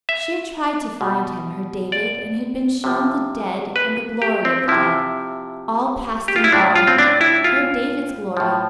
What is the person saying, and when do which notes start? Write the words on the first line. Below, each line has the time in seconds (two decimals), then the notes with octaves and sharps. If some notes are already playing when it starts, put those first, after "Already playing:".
She had tried to find him, her David, and had been shown the dead, and the glory of the dead--all past and gone--her David's glory.
0.09 E5
1.01 B2
1.92 D5
2.84 C3 F3
3.76 B4
4.22 G4
4.45 C4
4.68 C3 F3 E4
6.28 G4
6.36 F4
6.44 E4
6.52 A2 F3 D4
6.76 F4
6.87 C4
6.98 D4
7.21 E4
7.44 F4
8.37 A2 F3